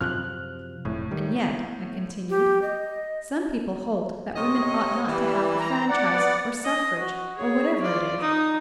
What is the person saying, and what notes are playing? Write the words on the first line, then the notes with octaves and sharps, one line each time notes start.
And yet," I continued, "some people hold that women ought not to have the franchise, or suffrage, or whatever it is!
F#2 C3 F3 F6 F#6
F1 A2
D#3 G3
B3
G4
D#5
C3 C#5 D#5
E3 G3
A#5
D5 F#5
B3
D#5
F#4
G#4 C#5
F4 D5
D#4 D#6